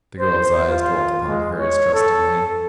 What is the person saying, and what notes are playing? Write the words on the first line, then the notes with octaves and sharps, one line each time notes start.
The girl's eyes dwelt upon hers trustingly.
C5
F4
G#3
C#5
A4